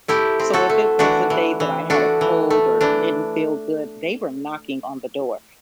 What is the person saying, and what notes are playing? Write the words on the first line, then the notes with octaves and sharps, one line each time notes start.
So if it was a day that I had a cold or didn't feel good, they were knocking on the door.
A3 E4 G4
C4
F#4 A4
A3
E3 D4 F#4
E3
E3
A3 D4 F#4
E3
A3
E3 D4